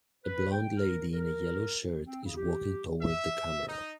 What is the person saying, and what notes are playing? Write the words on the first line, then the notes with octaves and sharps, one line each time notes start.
A blond lady in a yellow shirt is walking toward the camera.
B4
G5
A#4
A#4
C4
C#3
G4
E5
D#4